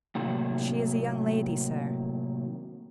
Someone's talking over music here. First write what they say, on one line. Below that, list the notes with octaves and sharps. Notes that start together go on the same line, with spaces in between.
"She is a young lady, sir."
A2 C3 D#3 F#3 A#3